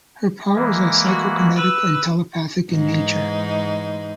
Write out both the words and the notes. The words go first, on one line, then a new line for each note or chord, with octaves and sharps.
Her powers are psychokinetic and telepathic in nature.
E3 G#3 A#3
F#4
B4 E6
G#2 E3 D#4